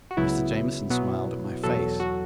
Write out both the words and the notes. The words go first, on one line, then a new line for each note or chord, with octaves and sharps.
Mr. Jamieson smiled at my face.
F#4
C#2 C#3 F#3 B3 E4
B2 F#3 B3
E2 B2 F#3 A4
F#4